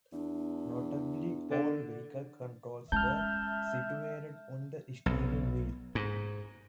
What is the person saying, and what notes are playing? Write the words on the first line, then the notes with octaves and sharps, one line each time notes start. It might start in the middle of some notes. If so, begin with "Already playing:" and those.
Notably, all vehicle controls were situated on the steering wheel.
E2 D4
D3
G#3 C#4 E5 A5 F6 G6
B1
G#2